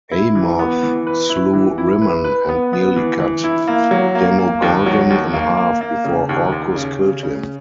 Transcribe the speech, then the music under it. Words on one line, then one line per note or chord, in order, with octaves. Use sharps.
Amoth slew Rimmon and nearly cut Demogorgon in half before Orcus killed him.
E4
E3
B3
E3
B4
E4
E3
E4
B4
B4
B3
B3
E3
E3
E4
A#3
F#3
A#3
A#3
D#2
F#3
D#2
A#3
A#3
A#3
C#3
D#2
D#2
C#3
C#3
C#3